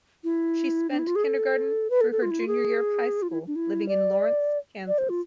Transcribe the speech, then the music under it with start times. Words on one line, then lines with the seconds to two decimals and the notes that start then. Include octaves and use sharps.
She spent kindergarten through her junior year of high school living in Lawrence, Kansas.
0.24 E4
0.90 D4
0.99 E4
1.07 F4
1.16 G#4
1.24 A4
1.90 B4
2.01 A4
2.12 A4
2.22 F4
2.31 E4
2.40 F4
2.47 G#4
3.22 F4
3.30 E4
3.47 D4
3.56 E4
3.88 D5
4.88 D5
4.98 C5
5.09 F4